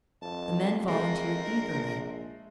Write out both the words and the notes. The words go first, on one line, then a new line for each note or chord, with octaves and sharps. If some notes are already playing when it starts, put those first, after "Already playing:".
The men volunteered eagerly.
F2 A5
G#3 A3 A#4
A#1